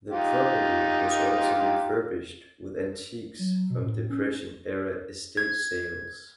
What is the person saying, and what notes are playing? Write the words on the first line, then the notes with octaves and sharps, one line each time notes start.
The property was also refurbished with antiques from depression-era estate sales.
D#4 F4 G4
F#3
B2
A2
C#4
G#6